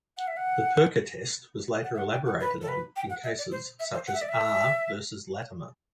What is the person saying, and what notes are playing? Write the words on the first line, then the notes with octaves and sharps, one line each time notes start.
The Perka test was later elaborated on in cases such as "R. versus Latimer".
F#5
E5
F#5
F#5
E5
F#5
G5
F#5
B4
A4
B4
G5
F#5
E5
D5
C5
E5
C5
F#5
E5
D5
E5